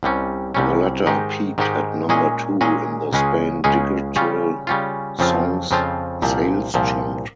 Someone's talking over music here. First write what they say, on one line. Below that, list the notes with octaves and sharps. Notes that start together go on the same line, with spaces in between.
The latter peaked at number two in the Spain Digital Songs Sales chart.
C2 C3 G3 C#4
C2 C3 G3 C#4
G#2 D#3 G#3 D#4 G4
G#2 D#3 G#3 D#4 G4
A#2 G#3 C#4 G#4 D#5
A#2 G#3 C#4 G#4 D#5
C#2 C#3 G#3 C#4 G#4
C#2 C#3 G#3 C#4 G#4
C#3 G3 C#4 F4
C#3 G3 C#4 F4
F2 C#3 F3 C4 F4
F2 C#3 F3 C4 F4
C2 A#2 F3
C2 A#2 F3